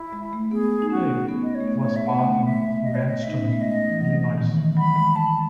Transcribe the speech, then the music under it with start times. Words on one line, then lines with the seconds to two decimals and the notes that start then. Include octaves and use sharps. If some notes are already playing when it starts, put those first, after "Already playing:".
Hale was born in Evanston, Illinois.
Already playing: E4
0.13 G#3
0.33 A3
0.51 B3 G#4
0.82 D#4
0.90 C#4 F#4
1.28 B3
1.43 D#5
1.55 C#5
1.60 A3
1.67 B3
1.81 C#5
1.96 E5
2.06 B3 F#5
2.20 A3
2.33 G#3
2.45 A3 E5
2.84 D#5
2.95 C#5
3.07 D#5
3.23 E5
3.28 D#4
3.36 C#4
3.44 B3
3.53 A3
3.61 G#3 D#5
3.89 E3
4.00 F#3
4.38 D#3
4.57 E3
4.77 F#3 B5
4.96 G#3
5.15 G#3 A5